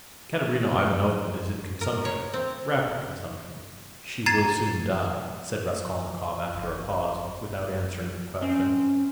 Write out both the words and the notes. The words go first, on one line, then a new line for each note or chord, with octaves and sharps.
"Katerina Ivanovna is in consumption, rapid consumption; she will soon die," said Raskolnikov after a pause, without answering her question.
A#4
C#5
C4
A#5 G#6 A6 C7 D#7
G1
C4 C#4